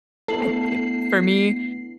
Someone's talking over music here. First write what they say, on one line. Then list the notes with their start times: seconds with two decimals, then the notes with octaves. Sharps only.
I'd d for me
0.28 A3 B3 D4 E4 A4 C7 F#7